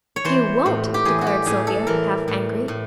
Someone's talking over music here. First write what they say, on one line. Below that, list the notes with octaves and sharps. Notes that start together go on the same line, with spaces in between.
"You won't!" declared Sylvia, half angrily.
C#5
E3 C5
A2
G4
E3 G#4
F#4
G4
A2 G#4
A4
E3 A#4
A2
A2